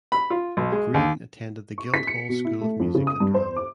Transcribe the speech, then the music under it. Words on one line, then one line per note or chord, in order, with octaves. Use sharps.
Greene attended the Guildhall School of Music and Drama.
B5
F4
B1
G#3
D#2
C#6
B6
C#7
B2
E4
A3
F2
C#3
D#6
G2
C5
D6